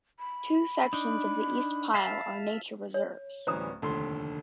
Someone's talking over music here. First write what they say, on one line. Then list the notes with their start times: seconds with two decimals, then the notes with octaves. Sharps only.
Two sections of the East Pyl are nature reserves.
0.19 B5
0.93 D4 D#4
1.94 E5 F5 A5
2.94 C#5
3.47 D1 E3 G3 C#4 C5 A#5 D#6
3.82 F1 D#2 D3 C6